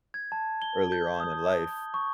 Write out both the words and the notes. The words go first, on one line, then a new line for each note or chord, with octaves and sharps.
earlier on in life.
G#6
A5
G7
G6
D#6
C#6